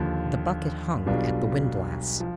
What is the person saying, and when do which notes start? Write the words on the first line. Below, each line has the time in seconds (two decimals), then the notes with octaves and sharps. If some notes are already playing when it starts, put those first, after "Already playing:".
The bucket hung at the windlass.
Already playing: D#2 D3 F3
1.06 B1 B2 G3 D4 F4
2.20 F3